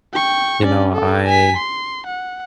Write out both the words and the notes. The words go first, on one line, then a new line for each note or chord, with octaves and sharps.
you know, I
G5 C#6
C#4 D5
A4
G#5 B6
C6
F#5